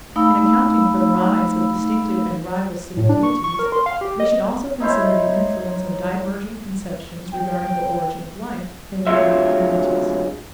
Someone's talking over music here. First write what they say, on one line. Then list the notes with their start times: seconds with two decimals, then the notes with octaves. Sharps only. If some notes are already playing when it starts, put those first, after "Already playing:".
In accounting for the rise of distinctive and rival city deities, we should also consider the influence of divergent conceptions regarding the origin of life in mingled communities.
0.16 A3 D#4 F5 B5 E6
2.97 A2
3.09 D4
3.23 C#6
3.44 C#6
3.59 A#4
3.72 C6
3.86 F5
4.01 G4
4.20 D#5
4.80 D#4 E4 C5 C#5
7.34 G5
9.07 D2 C3 F#3 G#3 F4 E5